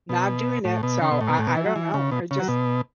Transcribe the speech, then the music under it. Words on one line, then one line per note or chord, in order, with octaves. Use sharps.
not doing it, so, I I don't know, I just
B2
A2
B2
C#3
B2
A2
B2
A2
B2
E3
F#3
E3
C#3
B2
C#3
F#3
B2